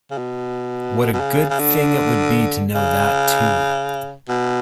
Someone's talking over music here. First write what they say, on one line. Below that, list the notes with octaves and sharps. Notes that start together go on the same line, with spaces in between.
What a good thing it would be to know that too!
C#3
B2
B2
C#3
C#3
D3
C#3
B2